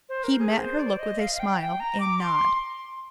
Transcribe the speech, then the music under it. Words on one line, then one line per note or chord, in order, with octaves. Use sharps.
He met her look with a smile and nod.
C5
A#4
G#4
C5
D5
D#5
F5
F5
G5
G5
A#5
D6
C6